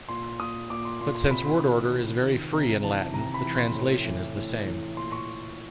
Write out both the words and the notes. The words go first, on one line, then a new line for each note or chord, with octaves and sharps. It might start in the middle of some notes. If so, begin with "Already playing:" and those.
But since word order is very free in Latin, the translation is the same.
A#2 C6
A#2 D#6
A#2 D6
C6
A#2 C6
C6
C3 B5
C6
D#3 B5
C3
D#3
C3 A#5
E3 A5
C3 A#5
B5
E3
C6
A2
E3
A2
E3
A#2 C6
C#6